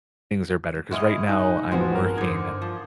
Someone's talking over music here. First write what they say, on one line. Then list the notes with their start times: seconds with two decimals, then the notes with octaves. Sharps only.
things are better. 'Cause right now, I'm working
0.91 G#2 B2 G#3 D#5 E5 F6
1.29 D#4 G#5 F#6
1.71 A1 F3 G#3 B3 C4 F#4 C5
1.95 G2 A#4
2.18 D3 D#4 C5 G#6
2.62 F3